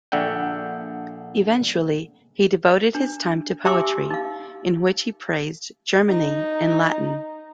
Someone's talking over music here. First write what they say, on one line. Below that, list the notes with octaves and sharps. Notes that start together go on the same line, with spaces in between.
Eventually he devoted his time to poetry, in which he praised Germany in Latin.
A#1 D3 E5 F#5 G5
D4
G4 E5 G#5 C6 D6 E6
D#4 F5
D#4